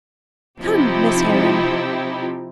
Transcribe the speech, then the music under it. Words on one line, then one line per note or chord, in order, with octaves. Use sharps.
Come, Miss Heron!
C3 F3 C4 D#4 E4 G4